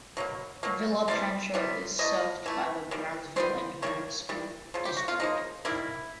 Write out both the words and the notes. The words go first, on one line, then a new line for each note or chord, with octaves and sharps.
Villa Pancho is served by the Brownsville Independent School District.
B2 F#3 A#3
B2 F#3 A#3
C3 E3 G3 B3 D5
C3 E3 G3 B3
E3 A3 D#5
E3 A3
D#3 G3
D#3 G3 B3 C5
D#3 G3 A#3 C#5
D#3 G3
C#3 F3
G4
F#4
F4
C#3 F3 A#3 D#4
D#3 G3 A#3 E4